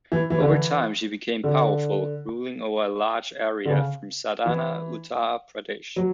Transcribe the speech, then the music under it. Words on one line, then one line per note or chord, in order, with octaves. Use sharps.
Over time, she became powerful, ruling over a large area from Sardhana, Uttar Pradesh.
E3
E3
D3
E3
D3
D3
C#3
E3
F#3